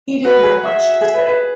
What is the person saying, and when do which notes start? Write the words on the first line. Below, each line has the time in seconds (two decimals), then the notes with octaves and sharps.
He didn't have much to say.
0.24 F#4 B4
0.43 G#4
0.63 E5
1.01 G#4
1.14 B4
1.26 B4